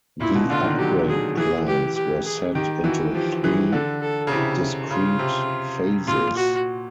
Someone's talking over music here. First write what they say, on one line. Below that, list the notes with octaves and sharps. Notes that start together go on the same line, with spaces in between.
The upgrade plans were set into three discrete phases.
A#2 E4
B2
D3 F4
D#3
F#3 G4
G#4
E3 G#4
G4
G4
G#4
D#3 G4
E3 F#4
F3 G4
E3 G#4
D3 A4
A4
C#3
C3 E4
C#3 F4
C3
A#2 F4
F#4